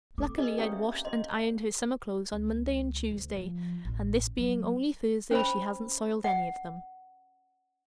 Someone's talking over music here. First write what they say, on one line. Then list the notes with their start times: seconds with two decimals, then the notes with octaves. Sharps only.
"Luckily I'd washed and ironed her summer clothes on Monday and Tuesday, and this being only Thursday, she hadn't soiled any of them."
0.18 C4 A4 D6
0.38 G#4 B4 D#5
0.58 A#3 C#4 G4 D5 G5 D#6
0.73 E5
1.05 D#5 C6
2.31 C#2
3.11 D2
3.37 F3
3.85 A1
4.38 F#3
5.31 C#4 C5 B5
6.24 F#5